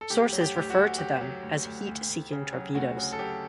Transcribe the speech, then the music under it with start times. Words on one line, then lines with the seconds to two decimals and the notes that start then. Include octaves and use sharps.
Sources refer to them as heat-seeking torpedoes.
0.01 A4
0.10 D2 G4
0.33 F#3
0.41 G4
0.55 D2 G4
0.70 F#4
0.76 D2
0.98 F#3 G4
1.21 F#3
1.43 D2
1.65 D2
1.87 D2
2.09 D2
2.31 C#3
2.53 F#3
2.74 D2 F#4
2.97 C#3
3.13 A4
3.19 F#3 G4